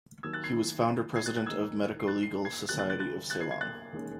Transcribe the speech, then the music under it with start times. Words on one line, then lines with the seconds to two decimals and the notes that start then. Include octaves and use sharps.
He was founder-president of the Medico-Legal Society of Ceylon.
0.23 D#2 D#3 F#3 E6 G#6
0.33 F#6 A6
0.44 G#6 C7
1.16 G#6 C7
1.26 F#6 A6
1.36 F#6 A6
1.46 E1 D#2 D#3 G#3 D#4 E6 G#6
1.99 C7
2.08 F#6 A6
2.23 C7
2.45 G#6 C7
2.69 D#2 C#3 F#3 F#6 A6
2.79 F#6 A6
2.90 F#6 A6
3.00 F#6 A6
3.30 F#6 A6
3.40 G#6 C7
3.51 G#6 C7
3.61 F#6 A6
3.92 E1 D#2 D#3 G#3 C#4